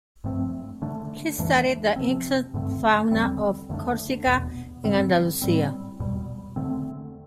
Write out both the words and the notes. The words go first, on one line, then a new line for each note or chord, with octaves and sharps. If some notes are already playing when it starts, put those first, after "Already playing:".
He studied the insect fauna of Corsica and Andalusia.
G2 F3 A3 C4
D3 A3 D4
F2 E3 A3 D4
C3 F3 C4
G2 D3 A3 C4
E2 D3 G3 C4
F2 D3 A3 D4
E2 B2 B3
G2 D3 G3 C4
A2 G3 C4
E2 B2 G3
D3 A3 C4